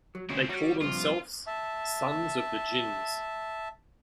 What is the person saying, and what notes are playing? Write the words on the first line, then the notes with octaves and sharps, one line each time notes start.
They call themselves sons of the Jinns.
F#3
D2 C#3 C4 C#4 E4
G3 F#4 C#5
G2 C3 F3 F4
E5 A5